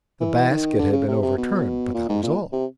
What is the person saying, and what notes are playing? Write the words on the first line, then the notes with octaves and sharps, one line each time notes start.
The basket had been overturned, but that was all.
E3
D#3
D3
C#3
C3
C3
B2
A#2
G#2
A#2
C3